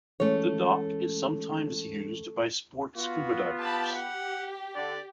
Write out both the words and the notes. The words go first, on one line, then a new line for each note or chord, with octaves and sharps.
The dock is sometimes used by sport scuba divers.
E3 G#3 A3 C#4 C#5
B3 F4 F#4
G4 A5 B5
G4 F#5
D3 D5